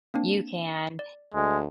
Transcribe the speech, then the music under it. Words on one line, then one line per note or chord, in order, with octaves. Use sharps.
you can
A#3 C4 D4
D5
D2 G#3